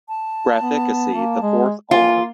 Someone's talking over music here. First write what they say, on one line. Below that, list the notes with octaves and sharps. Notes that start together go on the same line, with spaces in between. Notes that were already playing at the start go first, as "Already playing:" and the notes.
Graphicacy; The fourth 'R'?
A5
B3
A#3
G#3
A#3 F4 G#5